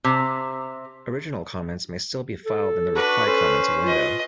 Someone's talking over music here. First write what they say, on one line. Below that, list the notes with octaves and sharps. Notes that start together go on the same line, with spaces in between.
Original comments may still be filed in the reply comments window.
C3
A4
D4 F#4 B4 C#6
C#4 A4 C5
F4 B4 D#5